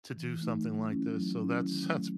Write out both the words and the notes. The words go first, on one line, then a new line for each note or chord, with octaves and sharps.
to do something like this, so that's that's
E3
A3 D#4
F#3
C#4 E4
F#3
C#4 E4
D#3
F#3 A3